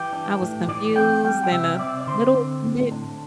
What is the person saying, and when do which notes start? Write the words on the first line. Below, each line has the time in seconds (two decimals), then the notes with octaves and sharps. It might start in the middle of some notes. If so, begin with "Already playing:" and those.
I was confused and a little bit
Already playing: E3 G4
0.13 D4
0.41 A2
0.68 E3 D5
0.96 C4 G5
1.24 G3 G5
1.44 G5
1.51 C3 E5
1.79 C4 D5
2.00 D5
2.07 D3 C5
2.35 C4
2.64 A2
2.92 D4